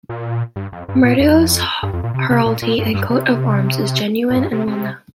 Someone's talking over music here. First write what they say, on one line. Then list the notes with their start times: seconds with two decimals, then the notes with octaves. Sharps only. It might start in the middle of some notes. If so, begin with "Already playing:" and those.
Medeiros heraldry and coat of arms is genuine and well known.
0.09 A#2
0.56 G2
0.73 F2
0.89 G2
1.04 A#2
1.20 F2
1.83 G2
1.93 F2
2.04 A#2
2.14 C3
2.30 C3
2.46 A#2
2.62 A#2
2.78 G2
2.94 G2
3.10 C3
4.30 A#2
4.36 G2
4.53 C3
4.67 C3